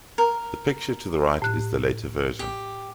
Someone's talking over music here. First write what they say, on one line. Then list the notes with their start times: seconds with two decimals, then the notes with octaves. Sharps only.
The picture to the right is the later version.
0.18 A#4
1.42 A2 F#6
2.39 G4